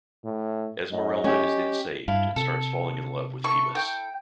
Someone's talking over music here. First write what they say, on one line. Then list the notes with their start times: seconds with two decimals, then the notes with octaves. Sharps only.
Esmeralda is then saved and starts falling in love with Phoebus.
0.24 A2
0.92 F#2 D#5
1.24 C#4 G4 C#5
2.08 G2 E4 F5 A5
2.36 C3 A4
3.44 E4 A4 C#6
3.75 G5